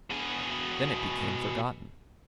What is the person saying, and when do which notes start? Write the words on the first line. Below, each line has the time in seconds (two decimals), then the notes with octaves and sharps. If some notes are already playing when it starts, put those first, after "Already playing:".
Then it became forgotten.
0.10 B2 G#4